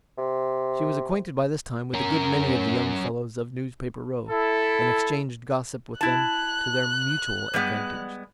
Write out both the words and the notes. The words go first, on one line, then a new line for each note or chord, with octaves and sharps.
She was acquainted by this time with a good many of the young fellows of Newspaper Row; and exchanged gossip with them to their mutual advantage.
C3
C#4 A#4
E4 A4
E4 A5 F#6
G3 G#3 B3